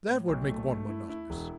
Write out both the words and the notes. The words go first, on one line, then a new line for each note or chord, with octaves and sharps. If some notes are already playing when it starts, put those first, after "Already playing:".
That would make one monotonous.
A2
B1
A3
A3
E4
E4
E1